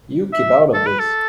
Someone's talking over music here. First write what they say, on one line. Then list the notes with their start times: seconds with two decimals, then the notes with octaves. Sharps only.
You keep out of this.
0.33 E5
0.74 A4
0.87 B4
1.00 A4